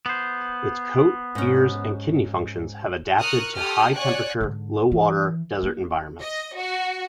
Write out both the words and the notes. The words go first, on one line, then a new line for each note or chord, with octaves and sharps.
Its coat, ears, and kidney functions have adapted to high-temperature, low-water, desert environments.
B3 C5
G#2 C#4
A#4 C#6 D#6 F6 F#6
G4 A4 G5 G#5 D#6 F6
C#5 D5 F#5 G#5 C#6 F#6
G#2 D3
E3
A#3
D#5
F#4